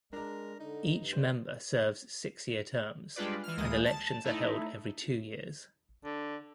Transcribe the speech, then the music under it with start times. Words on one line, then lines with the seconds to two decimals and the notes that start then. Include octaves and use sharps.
Each member serves six-year terms, and elections are held every two years.
0.13 G#3 D4 A#4 A#5
0.60 D3 D#4
0.94 G2
1.13 C5 D5
3.16 G3 G#3 D4 F4 B4 D5
3.43 E3 F6
3.57 D2 E3 G#3 A#3 D#6
3.85 A5
4.24 A3 D#4 E4
6.05 D3